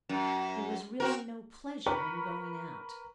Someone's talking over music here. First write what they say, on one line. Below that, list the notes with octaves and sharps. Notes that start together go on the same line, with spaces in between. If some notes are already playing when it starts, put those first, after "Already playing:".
There was really no pleasure in going out.
F#2
C4 F#4 A#4
A#4 B4 B5 C#6